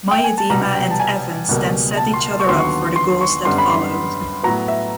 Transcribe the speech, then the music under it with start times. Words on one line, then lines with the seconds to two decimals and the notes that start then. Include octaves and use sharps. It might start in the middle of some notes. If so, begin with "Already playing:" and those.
Miedema and Evans then set each other up for the goals that followed.
0.11 G5
0.24 G#5
0.38 A5
0.50 C2 B2 G3 B3 A#5
0.75 G5
0.91 A5
1.00 G#5
1.49 C#2 B2 G3 A#3
1.97 A5
2.14 C6
2.40 C#6
2.46 D#2 D3 F#3 B3 C6
2.59 C#6
2.96 C6
3.21 C#6
3.45 F#2 D3 G3 B3 C6
3.58 B5
3.70 C6
4.43 A2 F#3 B3 A#5
4.68 E5